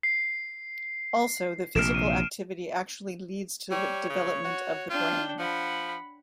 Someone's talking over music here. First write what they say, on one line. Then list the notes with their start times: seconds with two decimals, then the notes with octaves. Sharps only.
Also, the physical activity actually leads to the development of the brain.
0.03 C7
1.75 A#1 C3 F6 D7 E7
1.95 D#7
3.71 G3 C#5
4.10 C#3
4.45 F#4
4.90 D4 F4 G5
5.39 F3 F#5 B5